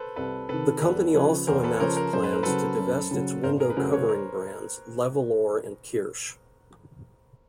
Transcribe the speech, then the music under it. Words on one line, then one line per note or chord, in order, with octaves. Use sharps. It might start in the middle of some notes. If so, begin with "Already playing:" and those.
The company also announced plans to divest its window covering brands Levolor and Kirsch.
Already playing: A4 B4 C5
C2 A4 B4
C3 D#3 A4 B4
A#4
E2 A4 B4
C#3 F3 B4 C#5
E2 A#4 C5
A4 B4
C#5
C#3 F3 A#4 C5
A#4 C5
F#2 C5
B4
A#4
C#3 F#3 A4 B4
F#2
C#3 F#3
G#1 A#4 C5
G#4 A#4
B4
F#2 C#3 F#3 A3 A#4 C5
B4 C#5
A#4 C5